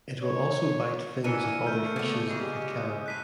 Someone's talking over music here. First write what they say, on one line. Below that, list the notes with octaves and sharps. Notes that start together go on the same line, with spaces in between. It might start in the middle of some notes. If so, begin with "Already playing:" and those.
It will also bite fins of other fishes if it can.
C#5
D#2 E3 D4 A#4 G#5 E6 C#7 D#7
A3 F6 G6
C#3 B3 D5
F2 A2 G#3
A#2 G3 G#3 G4
A2 G#3 F#6 B6 D#7